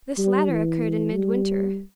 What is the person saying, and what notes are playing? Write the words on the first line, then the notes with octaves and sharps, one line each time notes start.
This latter occurred in midwinter.
G3
E3
G3